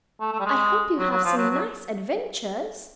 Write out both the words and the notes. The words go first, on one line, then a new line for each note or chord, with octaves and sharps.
"I hope you have some nice adventures!"
A3
A3
G3
G#3
F#3
F#3
F3
F#3
F#3